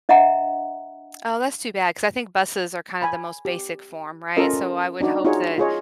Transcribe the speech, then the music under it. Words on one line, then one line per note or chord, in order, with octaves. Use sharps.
Oh, that's too bad 'cause I think buses are kind of the most basic form, right? So I would hope that
D4 D#5 E5 F#5 A#5
G#5 B5
G4
C#4 F4 A4 A#4 D#5
D4 D#4 F#4 D5
D#4 F4 F#4 G#4 C#5
F4 G#4 C#5 D#5